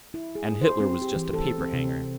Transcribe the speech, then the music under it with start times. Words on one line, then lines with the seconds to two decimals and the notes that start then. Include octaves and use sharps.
"And Hitler was just a paper-hanger."
0.14 E4
0.35 G#4
0.61 C5
0.80 C4
1.02 G4
1.15 E3
1.33 A4
1.58 C4
1.73 C3